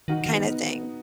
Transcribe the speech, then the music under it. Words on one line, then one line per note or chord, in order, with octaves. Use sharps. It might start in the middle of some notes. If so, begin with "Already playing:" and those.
kinda thing.
D#3 D#4 F#4
D#3
B3 D#4